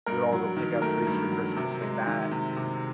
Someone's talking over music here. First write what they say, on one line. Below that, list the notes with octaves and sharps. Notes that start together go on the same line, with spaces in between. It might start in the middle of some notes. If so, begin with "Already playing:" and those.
we would all go pick out trees for Christmas, like, that
G2 A#4
F#3
D#3
A3 A#4
G2
F#3
C3
G#3
D#3
C3
C3